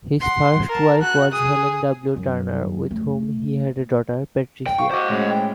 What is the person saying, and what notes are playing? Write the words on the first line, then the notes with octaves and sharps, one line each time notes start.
His first wife was Helen W. Turner with whom he had a daughter, Patricia.
F#5 C6
A#4 A5
F#4 F#6
G#4 D#6
F#2
A3
G5
F5 C#6
F#4 C5 D#5 C#6 D6
A2 G#3 C#4
G5